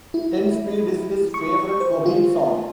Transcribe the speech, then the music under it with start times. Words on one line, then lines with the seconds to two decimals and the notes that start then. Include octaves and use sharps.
Ten Speed is his favorite Coheed song.
0.14 E4
1.34 C#6
1.80 C5
2.06 F4